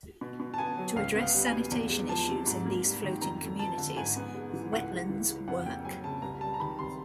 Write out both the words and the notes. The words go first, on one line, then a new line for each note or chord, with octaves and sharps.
To address sanitation issues in these floating communities, Wetlands Work!
B2
B2
A5
B3 G#5
F#3
C#2 F5
B3
F5
G3
G#5
B2
E2
G#3
F3 A5
C3
G#2
A#3
G3
D#3
F2 A#5
A3
F3 A5
D3
G#2 G#5
B3
G#3
E3
C#2 F#5
G#3
E3
C#3
F2 F#5
A#3 G5
F#3 G#5
C#3 A5
C2 A#5
G3 A5
A#5
D#3 B5
C3 C6